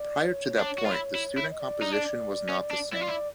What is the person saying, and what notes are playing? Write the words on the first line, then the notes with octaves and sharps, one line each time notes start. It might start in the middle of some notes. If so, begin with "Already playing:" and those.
Prior to that point the student composition was not the same.
Already playing: D5
C#5
D4
F#4
F4
E4
E4
E4
D#5
D5
D#4
D4 D5
C#4
D4
E4 D5
F4
E4